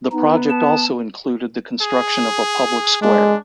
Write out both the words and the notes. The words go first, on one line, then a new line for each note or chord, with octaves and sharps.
The project also included the construction of a public square.
B3 D#4
A5
G#4
G#3 D4